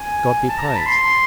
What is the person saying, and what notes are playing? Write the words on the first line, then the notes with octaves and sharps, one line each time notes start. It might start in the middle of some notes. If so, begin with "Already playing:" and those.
God be praised!
Already playing: G#5
A5
A#5
A5
B5
C6